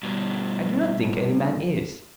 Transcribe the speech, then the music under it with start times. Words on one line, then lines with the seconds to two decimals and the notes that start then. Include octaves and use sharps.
I do not think any man is.
0.03 G2 B2